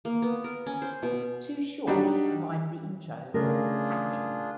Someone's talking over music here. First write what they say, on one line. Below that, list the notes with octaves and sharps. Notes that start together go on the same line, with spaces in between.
Too Short provides the intro on "Tap In".
A#3
B3
A#4
C#4
C5
B2
F#3 G3 D4 D#4 F#4 G4
C#3 A3 D4 F4 G#4 A#4